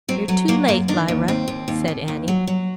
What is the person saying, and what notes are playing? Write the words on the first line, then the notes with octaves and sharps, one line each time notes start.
"You're too late, Lyra," said Annie.
F#3 C4
F#3 A3
F#3 A#3
F#2 A#3
D#3 D4
D#2
D#2 C4
D#2
D#2
D#2
D#2
F#3
F#3